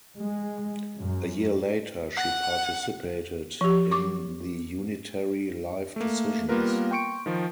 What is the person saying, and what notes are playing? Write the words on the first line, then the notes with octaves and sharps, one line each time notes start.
A year later she participated in the Unitary Life Decisions.
G#3
F#2
F#5
F3 G4
C#6 D6
A3 A#3
G3 A#3 B3 F4 A#4 B4
G5 C6 C#6 C#7 D7
D#3 F3